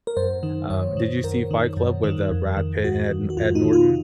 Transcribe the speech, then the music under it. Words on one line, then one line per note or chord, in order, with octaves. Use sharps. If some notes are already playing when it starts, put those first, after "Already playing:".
Um, did you see Fight Club with, uh, Brad Pitt, and Ed Ed Norton?
A#4
F#2 C5
D#3
F#2 C#5
D#3
F#2 A#4
D#3
F#2
D#3
F2
D#3
F2 F#4
D#3
F#4
F2 F4
D#4
D#3
F4